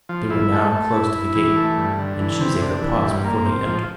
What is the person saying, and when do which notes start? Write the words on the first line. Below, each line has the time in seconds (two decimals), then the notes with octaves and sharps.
They were now close to the gate, and Cheesacre paused before he entered.
0.09 F3
0.30 E4
0.52 A3
0.72 A3
0.93 E4
1.15 E4
1.35 E3
1.56 A3
1.77 G2
1.99 D3
2.19 E3
2.41 C3
2.61 D4
2.82 E3
3.03 G2
3.24 A#3
3.45 C4
3.66 F3